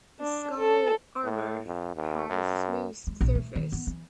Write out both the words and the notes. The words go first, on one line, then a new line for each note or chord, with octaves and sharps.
The skull armour has a smooth surface.
D4
A4
A2
F2
D#2
F#2
G#3
A#1
A3
D#3
B3
E3